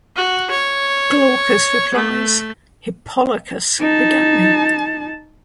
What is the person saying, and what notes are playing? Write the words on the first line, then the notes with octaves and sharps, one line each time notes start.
Glaucus replies: Hippolochus begat me.
F#4
C#5
A3
D#4 A5